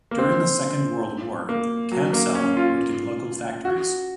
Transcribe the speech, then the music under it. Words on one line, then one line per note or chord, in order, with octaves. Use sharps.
During the Second World War, Camsell worked in local factories.
A#3
C4
A#3
F#3
A#3
C#4
F4
F#4